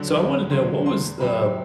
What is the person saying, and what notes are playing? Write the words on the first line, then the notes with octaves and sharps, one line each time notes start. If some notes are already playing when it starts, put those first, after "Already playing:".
So I want to know what was the
Already playing: E2 D3 F#3
E2 B5
D3 F#3 C6
E2 C6
C3 F#3 B5